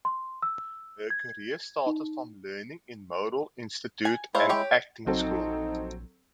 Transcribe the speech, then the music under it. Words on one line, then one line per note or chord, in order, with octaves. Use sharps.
Her career started from learning in Model Institute and Acting School.
C6
E6
G#6
D#4
G#5
G#3 E4 C5 C#5 F5
G4 C#5 G5
A#1 F#3 C4 D#4 A4